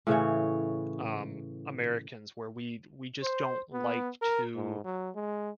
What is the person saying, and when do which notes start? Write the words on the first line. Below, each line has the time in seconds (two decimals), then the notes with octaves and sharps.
um, Americans where we we just don't like to
0.07 A2 C#3 E3 C#5
3.22 C5
3.72 B3
4.22 A#4
4.55 G#2
4.84 F#3
5.15 G#3